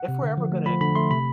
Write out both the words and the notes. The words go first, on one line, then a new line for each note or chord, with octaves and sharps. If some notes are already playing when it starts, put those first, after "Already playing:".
if we're ever gonna
Already playing: F#5
C3
D3
F3
A3
F3 B5
D3 B5
A3 C6
C3 B5